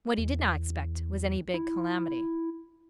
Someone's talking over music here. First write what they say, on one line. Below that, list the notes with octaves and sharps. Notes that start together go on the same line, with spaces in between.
What he did not expect was any big calamity.
E2
E4